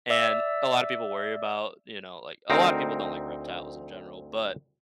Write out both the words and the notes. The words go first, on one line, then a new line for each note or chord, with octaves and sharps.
and a lot of people worry about, you know, like a lot of people don't like reptiles in general, but
D5 E5 E6
D2 C4 D#4 A#4